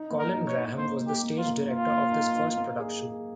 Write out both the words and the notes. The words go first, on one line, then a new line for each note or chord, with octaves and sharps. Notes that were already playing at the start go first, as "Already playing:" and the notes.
Colin Graham was the stage director of this first production.
Already playing: D#4
A#3
A#4
D#4
C#5
D#4
A#3 C5
A#3
G4
A#3
F4
A#3
A#3 F4
A#3
D#4
D#4
A#3
G#4
G#4